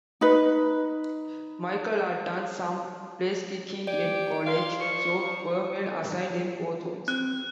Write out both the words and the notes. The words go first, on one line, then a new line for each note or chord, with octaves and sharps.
Michel had done some placekicking in college, so Vermeil assigned him both roles.
D#4 B4
G4 D5 D7
F5 C6
F3 C#6
F3
C4 F#6